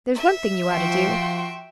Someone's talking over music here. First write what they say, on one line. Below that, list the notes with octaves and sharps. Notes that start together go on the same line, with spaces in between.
"There's one thing you ought to do."
E5
F3 F#4 G5 C6